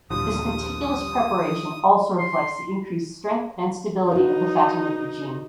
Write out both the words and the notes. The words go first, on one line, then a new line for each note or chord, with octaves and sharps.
This meticulous preparation also reflects the increased strength and stability of the Fatimid regime.
A#1 D#2 D3 F3 G3 D#6
C6
D#4 F#4 B4